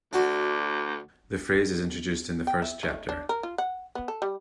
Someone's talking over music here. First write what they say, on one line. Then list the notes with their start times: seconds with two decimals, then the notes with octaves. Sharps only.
The phrase is introduced in the first chapter.
0.13 D2 D4 F#4
2.47 G5
2.62 E5
2.83 A3
3.09 D4
3.29 A#4
3.43 F4
3.58 F#5
3.95 B3
4.08 A4
4.22 G3